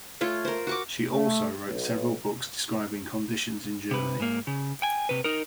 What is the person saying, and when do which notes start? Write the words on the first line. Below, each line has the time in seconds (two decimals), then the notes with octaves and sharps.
She also wrote several books describing conditions in Germany.
0.21 A3 F4 C#5 C6
0.45 A#4 C5
0.67 F#4 C#6 D6
1.10 A3
1.67 B1
3.91 C3 B4
4.20 G#2 A#3
4.47 C#3
4.82 G5 G#5
5.09 C3 B4
5.24 D#4 A#4